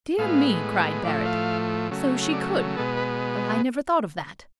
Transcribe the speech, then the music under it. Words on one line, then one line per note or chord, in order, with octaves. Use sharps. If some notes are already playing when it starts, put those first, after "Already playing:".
"Dear me," cried Barrett, "so she could; well, I never thought of that."
A2 G#3 B3 F5
A2 F3 A3 D5
F5
C#3 F#3 A3
D5
B2 G#3 B3 A4
B4